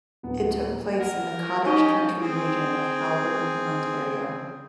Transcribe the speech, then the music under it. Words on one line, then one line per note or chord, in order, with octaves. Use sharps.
It took place in the cottage country region of Haliburton, Ontario.
D1 B3
A#3
A#4 F#5
C#4 D#4 G4 D#5
C4 G#4